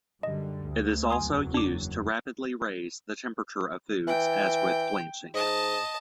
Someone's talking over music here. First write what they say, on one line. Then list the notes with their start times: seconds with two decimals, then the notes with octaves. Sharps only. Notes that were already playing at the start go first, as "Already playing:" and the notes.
It is also used to rapidly raise the temperature of foods, as with blanching.
0.23 F#2 D3 G3 D#5
0.65 D2
1.10 F#1 E2 F#3 G#5 C6 D#6
1.54 D4 D6
4.07 E3 G5
5.34 G#2 D#5 A5